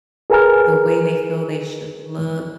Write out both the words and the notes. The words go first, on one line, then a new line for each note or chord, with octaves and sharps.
the way they feel they should look,
G#4 A#4 B4 G#5 A#5 F6